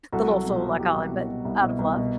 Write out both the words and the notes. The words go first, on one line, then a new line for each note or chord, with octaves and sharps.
the little fool I call him, but out of love.
C2 F#4 A4
F#3
B2
F#3
C2 E4 G4
C2
B2
B2
C2 E4
B2
C2
B2